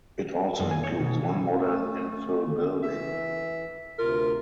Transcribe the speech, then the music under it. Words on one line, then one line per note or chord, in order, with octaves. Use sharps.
It also includes one modern infill building.
F#2
G#5
C#5
B2
E3
A3
E3 E5
D2 C3 F4 A#4